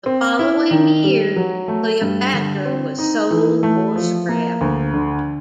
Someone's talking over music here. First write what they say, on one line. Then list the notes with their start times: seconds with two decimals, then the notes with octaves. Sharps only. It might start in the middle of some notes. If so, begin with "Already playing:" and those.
The following year, "Cleopatra" was sold for scrap.
0.06 C4
0.39 E4
0.71 D#3
1.04 G3
1.36 F#3
1.68 A3
2.01 G2
2.33 D3
2.65 C4
2.98 D#4
3.31 E3
3.63 A3
3.95 F3
4.29 A#3
4.61 D2
4.94 D3